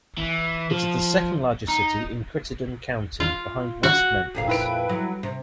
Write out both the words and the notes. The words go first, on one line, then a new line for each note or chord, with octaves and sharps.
It is the second largest city in Crittenden County, behind West Memphis.
E3
F3
D#4
F4
F#4
F2 A#2 F5
E4 B4 D7
F#3
C3